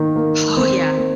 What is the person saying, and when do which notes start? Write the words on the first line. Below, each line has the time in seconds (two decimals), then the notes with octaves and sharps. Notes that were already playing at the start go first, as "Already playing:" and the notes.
Oh yeah,
Already playing: D#3 A#3
0.16 A#3
0.57 D#3 C4
0.97 A#3